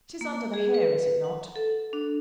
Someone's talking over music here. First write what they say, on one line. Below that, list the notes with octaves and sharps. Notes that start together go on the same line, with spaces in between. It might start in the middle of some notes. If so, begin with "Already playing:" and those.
It is under the hair, is it not?'
A#3
G#4
B4
F#5
A4
D4